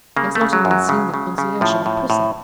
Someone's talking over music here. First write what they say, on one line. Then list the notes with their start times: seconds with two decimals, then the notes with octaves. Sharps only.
"He has not even seen the concierge of the prison."
0.17 C#3 A#3
0.35 A3
0.41 C#3
0.53 F#3
0.65 F#2
0.71 F#3
0.89 C#3
1.14 C#3
1.38 C#3
1.61 A2 F3
1.86 A2
2.10 A2